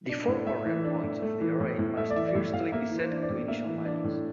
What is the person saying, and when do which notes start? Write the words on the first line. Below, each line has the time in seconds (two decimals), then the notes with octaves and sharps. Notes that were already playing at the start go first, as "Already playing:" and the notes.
The four corner points of the array must firstly be set to initial values.
0.09 D4
0.28 A2
0.47 A3 E5
0.66 E3
0.84 D4
1.03 A2
1.22 A3
1.41 E3
1.60 A2
1.79 A2
1.97 A3 E5
2.10 D5
2.16 E3 E5
2.28 D5
2.35 A2 E5
2.53 A2 F5
2.72 A#3 E5
2.91 E3
2.97 C5
3.11 D4
3.22 D5
3.29 A2
3.48 A#3 E5
3.66 E3
3.85 D4
4.04 A2